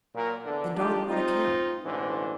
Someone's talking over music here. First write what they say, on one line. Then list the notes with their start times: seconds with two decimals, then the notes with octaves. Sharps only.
"And on what account?"
0.15 A#2 F#3 A#4
0.45 E2 D3
0.76 A3 D4 D#4 F4 G4
1.07 C4 D#4 F4
1.84 A1 G#2 B2 D3 E3 C5